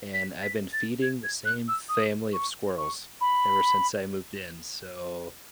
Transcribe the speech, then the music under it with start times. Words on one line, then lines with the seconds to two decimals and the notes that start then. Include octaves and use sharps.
And I've been feeding the same family of squirrels ever since I moved in. So
0.14 B6
0.43 B6
0.73 A6
1.02 G#6
1.24 G#6
1.45 F#6
1.68 E6
1.89 D#6
2.33 C#6
2.77 C#6
3.21 B5